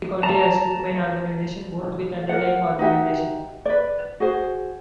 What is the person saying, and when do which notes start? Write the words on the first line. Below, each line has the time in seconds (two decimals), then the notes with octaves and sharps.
Every county has two main organisations, both with underlying organisations.
0.23 A5 A#5
2.29 A#4 F#5
2.79 D#4 F#4 G4 E5
3.65 B4 D5
4.20 F#4 G#4 C5